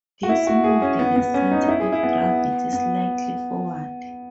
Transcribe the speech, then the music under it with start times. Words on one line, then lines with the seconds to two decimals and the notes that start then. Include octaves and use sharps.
This moved the center of gravity slightly forward.
0.23 F#4
0.29 E4
0.47 F#4
0.64 G#4
0.82 C#4
0.99 B3
1.16 B3
1.34 C#4
1.51 D#4
1.63 D#4
1.69 E4
1.80 G#4
1.93 E4
2.03 B3
2.21 B3
2.73 B3